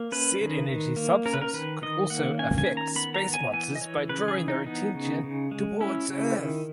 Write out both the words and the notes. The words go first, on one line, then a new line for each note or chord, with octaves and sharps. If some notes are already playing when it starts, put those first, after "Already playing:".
Said energy substance could also affect space monsters by drawing their attention towards Earth.
Already playing: A#3
C#4 B4
D#3
D#3
A#3
C#4 A#4
B4
A#4
D#3 B4
D#3 D#5
A#3 F#5
C#4 G#5
G#5
D#3
A#5
B3 B5
A#5
B3
G#5
E3 G#5
D#5
E3 C#5
C#3 B4
G#4
E3
D#4
B3 D#4
C#3
C#3
G#3
C#4 E4
C#3
D#3